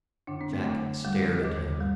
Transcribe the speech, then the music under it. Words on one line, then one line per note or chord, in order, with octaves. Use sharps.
Jack stared at him.
F#2 D3 D4
C4
A3
F#2 D3
F#2 D3 G3
D#2 D3
G3